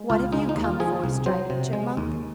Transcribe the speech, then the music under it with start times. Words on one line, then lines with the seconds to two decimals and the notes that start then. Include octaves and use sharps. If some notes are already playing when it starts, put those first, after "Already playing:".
"What have you come for, Striped Chipmunk?"
Already playing: G#3
0.10 C#2 F4
0.32 G#3 D#4
0.49 D#4
0.56 D#2
0.64 F4
0.80 F3 G#4
1.04 C2
1.26 F#3 C5
1.50 C3
1.73 G#3
1.97 D#2